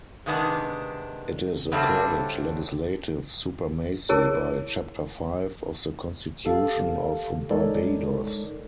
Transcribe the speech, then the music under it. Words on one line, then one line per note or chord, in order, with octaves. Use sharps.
It is accorded legislative supremacy by Chapter Five of the Constitution of Barbados.
C3 D#3 G#3 B3 D4
C#3 F#3 G3 A3 C4 D4
E4 G#4 A#4 C#5
G4 A4 F5
G#3 D#4 A4 A#4 C#5 D5